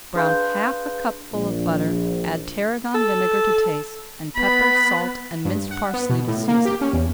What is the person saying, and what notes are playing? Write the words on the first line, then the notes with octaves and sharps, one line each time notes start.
Brown half a cupful of butter, add tarragon vinegar to taste, and pepper, salt, and minced parsley to season.
D4 G#4 B4 F5 C6 G6
A#1
A4
B3 B5
G2
F#5
B3
B2
A2
A#3
G4
C#4
E2